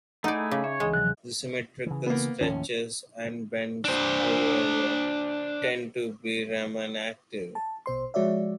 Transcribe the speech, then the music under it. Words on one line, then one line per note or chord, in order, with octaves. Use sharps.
Symmetrical stretches and bends, however, tend to be Raman active.
A3 D#4 E4 G#4 D5 F#5
C#3 D6
C#4 C#5 E5
D2 E3 G#3 G#4
C3 F3 F#3 F#6
C#3 E3
A#3 B3
D#2 A2 F3 C#4
D4 C5
A5
A#1 B2 C5 C6
F3 G#3 F#4 C#5 D5 E5